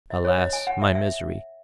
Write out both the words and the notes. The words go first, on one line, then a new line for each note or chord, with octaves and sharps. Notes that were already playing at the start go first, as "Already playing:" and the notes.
'Alas! my misery!
D#5
C#5
D#5
G#5
F#5
E5
E5